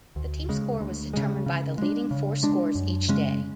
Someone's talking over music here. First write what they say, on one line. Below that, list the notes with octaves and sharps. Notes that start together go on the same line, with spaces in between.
The team score was determined by the leading four scores each day.
D2
C#3 G#3
D2
C#3 G#3
C#3
G#3 D4
C#3
G#3 D4
F#2
C#3 G#3 C#4